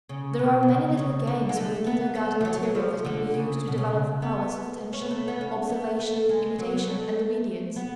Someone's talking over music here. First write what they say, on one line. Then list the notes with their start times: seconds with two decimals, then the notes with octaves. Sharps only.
There are many little games with kindergarten materials that can be used to develop the powers of attention, observation, imitation, and obedience.
0.09 C#3
0.39 B2
0.63 B2
0.69 C#3
0.97 C#3
1.27 D3
1.49 G#3
1.57 A3
1.87 B3
2.15 A3
2.41 F3
2.45 F#3
2.63 F#3
2.75 F3
3.05 D3
3.34 C#3
3.68 B2
3.78 C#3
4.22 B3
4.93 C#4
5.02 B3
5.11 A3
5.28 B3
5.41 C#4
5.69 B3
5.99 A3
6.29 G#3
6.58 F#3
6.76 B3
6.87 A3
7.76 B3